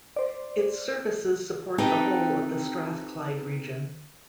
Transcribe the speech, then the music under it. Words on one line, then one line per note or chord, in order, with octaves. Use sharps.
Its services support the whole of the Strathclyde region.
C5 D5
C4 D#4 G4 A4 B4 G5